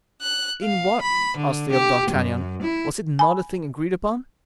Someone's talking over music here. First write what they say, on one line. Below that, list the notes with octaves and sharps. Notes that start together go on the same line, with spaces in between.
"In what?" asked they of D'Artagnan; "was it not a thing agreed upon?"
F#6
F5
B5
D3
G4
F#2
E4
G#5 B5